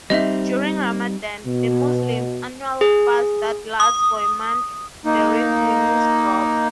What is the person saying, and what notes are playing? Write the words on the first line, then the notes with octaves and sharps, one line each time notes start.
During Ramadan, the Muslims' annual fast that lasts for a month, the revenues drop.
G3 C4 D#4 D#5 E5
B2
G#4
D#6
A#3 D#4